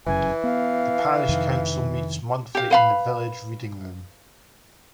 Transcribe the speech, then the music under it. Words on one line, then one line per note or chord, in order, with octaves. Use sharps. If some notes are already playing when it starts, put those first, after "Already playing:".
The parish council meets monthly in the village reading room.
F1 F#2 C#3 E3 G#5
B3 F5
F2 C3 D#3
G4 F5
B4 F5 B5